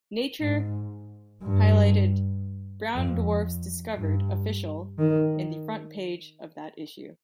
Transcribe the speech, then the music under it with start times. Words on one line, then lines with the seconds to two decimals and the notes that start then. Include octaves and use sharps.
"Nature" highlighted "Brown dwarfs discovered, official" in the front page of that issue.
0.41 G#2
1.42 G2
2.96 F2
3.97 G2
4.99 D#3